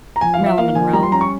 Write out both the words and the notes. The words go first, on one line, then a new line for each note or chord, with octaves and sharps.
Marilyn Monroe.
A#5
F3 G#5
F5
F3
E5
A#3 F5
F3 G#5
G3 A#5
C6
C#4 A#5
C#6